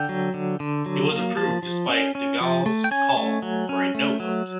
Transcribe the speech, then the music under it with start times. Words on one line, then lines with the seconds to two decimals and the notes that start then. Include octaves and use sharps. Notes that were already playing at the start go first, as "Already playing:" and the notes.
It was approved despite De Gaulle's call for a "no" vote.
Already playing: D3 G5
0.09 F#3
0.34 D3
0.60 D3
0.86 F#3
1.11 A#3
1.37 F3 A5
1.63 F3
1.89 C#4
2.15 C#4
2.40 F3
2.66 A3
2.84 G5
2.91 C#4 G#5
3.17 A3
3.42 F#3
3.69 C#4
3.95 A3
4.20 F#3